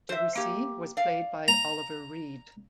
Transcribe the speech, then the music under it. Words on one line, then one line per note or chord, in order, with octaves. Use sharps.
Debussy was played by Oliver Reed.
C5 E5
A#3 G4
D5 F5
A#5